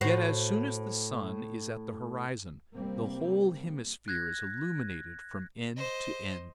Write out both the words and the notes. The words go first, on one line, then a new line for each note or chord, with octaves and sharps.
Yet as soon as the sun is at the horizon, the whole hemisphere is illuminated from end to end.
A2 F#4 C5
C3 G3 A#3 C4
F#6 G#6 A#6
C5 D#5